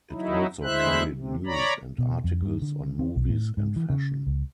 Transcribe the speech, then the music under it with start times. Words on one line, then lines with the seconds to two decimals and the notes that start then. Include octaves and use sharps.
It also carried news and articles on movies and fashion.
0.12 F#3 D#4 E4
0.63 D2 G#3 E4 C5 E5 F#6
1.11 C3
1.46 C#5 D5 A#5 B5
1.98 B2
2.24 F2
2.42 G2
2.62 D3
2.99 C4
3.16 B1
3.29 A2
3.57 G#2
3.76 E3
3.90 C#3
4.27 C#2